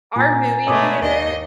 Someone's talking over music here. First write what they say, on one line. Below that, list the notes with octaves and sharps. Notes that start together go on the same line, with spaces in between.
our movie theater?
A#2 G#5 A#5 A6
B2 G#3 A3 C#5 D6 D#6
D#2 D#5